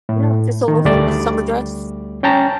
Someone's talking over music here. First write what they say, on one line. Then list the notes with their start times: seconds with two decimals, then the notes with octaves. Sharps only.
Yeah, just a little a summer dress.
0.09 A2
0.68 D#3
0.85 D2 G3 A3 D5
2.23 C#4 G5 A5 A#5